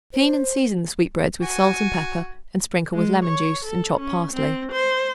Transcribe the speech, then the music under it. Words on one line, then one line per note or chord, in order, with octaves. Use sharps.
Clean and season the sweetbreads with salt and pepper and sprinkle with lemon-juice and chopped parsley.
C5
F#4 G#5
G#3
C#5
A4
C#4
C4
C5